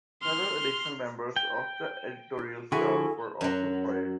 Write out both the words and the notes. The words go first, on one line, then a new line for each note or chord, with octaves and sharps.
Several additional members of the editorial staff were also fired.
C6 F6
G5
D3 F3 E4 F#4 G#4 A4 C#6
F#2 F#3